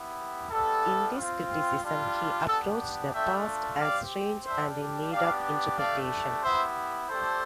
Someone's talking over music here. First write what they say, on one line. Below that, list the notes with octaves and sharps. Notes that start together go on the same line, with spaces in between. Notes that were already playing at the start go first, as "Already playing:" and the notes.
In this criticism, he approached the past as strange and in need of interpretation.
Already playing: B3 E4 G4
G3 B3 E4 A4
C4 F4
G3 D4 F4
B3 D4 G4 A4
A3 D4 F4 E5 G5
C4 G4 D5 F5
G3 D4 G4 C5 E5
B3 D4 G4 D5 F5
A3 D4 G4 D5 F5
B3 E4 G4 C5 E5
A3 D4 G4 A4 C5